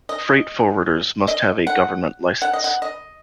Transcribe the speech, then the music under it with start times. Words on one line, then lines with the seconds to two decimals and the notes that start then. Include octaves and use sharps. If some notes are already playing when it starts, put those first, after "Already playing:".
Freight forwarders must have a government license.
0.09 D#5
1.28 D#5
1.67 F#5
2.42 F#5
2.53 D#5
2.64 F#5
2.82 D#5